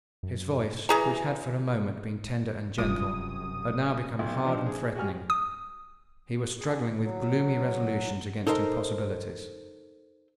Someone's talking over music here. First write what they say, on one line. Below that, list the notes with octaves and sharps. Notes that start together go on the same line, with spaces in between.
His voice, which had for a moment been tender and gentle, had now become hard and threatening. He was struggling with gloomy resolutions against impossibilities.
F#2
E3 G#4 A#5
E1 F#2 C3 G3 F4 D#6
B1 B2
F3 D4 D#4
G#4
F#4 G4 G#5 F6
D#6
G#4
F#3
D#4 A4 A#4 C5 D#5